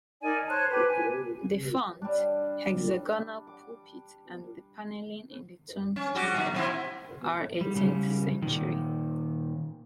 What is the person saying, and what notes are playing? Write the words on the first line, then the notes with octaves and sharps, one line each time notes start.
The font, hexagonal pulpit and the panelling in the tomb chamber are eighteenth century.
D#4 A#4 D5 G#5
C5 C#5 A5 F#6
G4 B4
G#5
G3 D4
D6
C#4
G3 F#4 G4
A#2 D#3 F#3
A#2 C4 E4
G3
C#3 G3
A#2 D#3